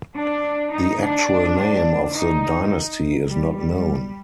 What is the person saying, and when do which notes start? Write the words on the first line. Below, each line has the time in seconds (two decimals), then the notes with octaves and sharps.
The actual name of the dynasty is not known.
0.15 D4
0.71 D#4
1.00 D4
1.58 D4
2.15 D#4
3.29 G3
3.57 G3